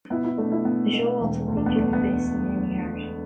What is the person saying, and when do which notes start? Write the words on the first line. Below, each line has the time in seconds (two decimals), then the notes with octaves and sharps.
The show also featured Abyss and Jimmy Hart.
0.10 B2 B3 E4
0.24 B3 E4
0.38 B2 A3 D4
0.51 B3 E4
0.65 B2 B3
0.93 B2 A3
1.20 E1
1.48 D2
1.57 D4
1.66 B3
1.75 D3 A3
1.93 B3